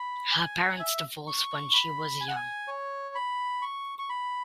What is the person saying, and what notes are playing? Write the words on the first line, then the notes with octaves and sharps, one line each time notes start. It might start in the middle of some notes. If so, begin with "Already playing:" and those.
Her parents divorced when she was young.
Already playing: B5
G#5
E5
C#6
B5
G#5
F#5
G#5
C#5
B5
C#6
C#6
B5